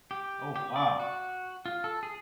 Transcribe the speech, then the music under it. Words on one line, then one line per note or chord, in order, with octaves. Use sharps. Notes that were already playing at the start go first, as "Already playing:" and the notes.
Oh, wow.
G4
G4
D5
F#4
F4
A4
G#4